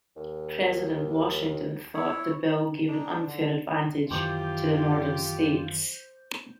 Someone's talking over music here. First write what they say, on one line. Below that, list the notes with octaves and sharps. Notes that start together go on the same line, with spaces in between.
President Washington thought the bill gave an unfair advantage to the northern states.
D#2
E4 C#5
D4 D#4
D3
F#2 D#3 E3 F4 G4 C5 D6